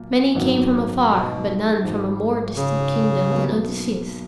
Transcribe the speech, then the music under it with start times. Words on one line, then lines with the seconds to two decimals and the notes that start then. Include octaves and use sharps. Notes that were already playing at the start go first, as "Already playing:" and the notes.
Many came from afar, but none from a more distant kingdom than Odysseus.
Already playing: B1 A#2 A#3
0.35 G#1 F#2 D#3 F#3 B3
1.09 B2
1.83 G#1 G#2 F3
2.56 C#3
3.31 B1 B2 A#3